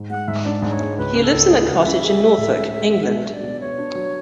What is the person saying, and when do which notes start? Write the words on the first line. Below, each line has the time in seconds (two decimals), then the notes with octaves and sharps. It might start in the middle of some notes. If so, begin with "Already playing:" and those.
He lives in a cottage in Norfolk, England.
Already playing: G#2
0.10 G#3 F#5
0.28 G#2 E5
0.45 D4 D5
0.62 G#2
0.71 C#5
0.80 G#3
0.98 C#2 B4
1.15 C#3
1.24 A4
1.32 C#2
1.50 G#3 G#4
1.68 C#2 F#5
1.85 C#3 E5
2.02 G#4
2.20 G#3
2.38 A2
2.55 C#4
2.73 G#4
2.90 G#3
3.03 F#5
3.07 D4 E5
3.25 F#3
3.34 D5
3.43 B2
3.60 B3 C#5
3.78 D4
3.95 F#3